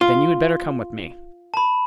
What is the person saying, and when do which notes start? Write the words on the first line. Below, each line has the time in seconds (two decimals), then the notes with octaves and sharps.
"Then you had better come with me."
0.01 F4
1.54 A5 B5